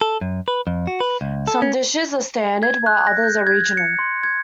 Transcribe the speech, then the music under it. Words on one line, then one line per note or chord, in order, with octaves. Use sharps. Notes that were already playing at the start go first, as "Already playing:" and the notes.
Some dishes are standard while others are regional.
A4
F#2
B4
F2
F#4
B4
C#2
A4
C#4
G#6
F#6
A#6
G6
G#6
C#7
C6
G#6